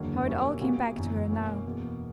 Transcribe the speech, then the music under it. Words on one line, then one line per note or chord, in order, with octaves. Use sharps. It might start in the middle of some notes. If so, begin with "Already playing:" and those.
How it all came back to her now!
Already playing: F#1 E2 D3 F#3 A#3
B2 G3 A#3 C#4 E4
A#1 A#2 G3 B3 F#4
G1 F#2 E3
B2 A#3 C#4 E4
E1 E2 B2 A#3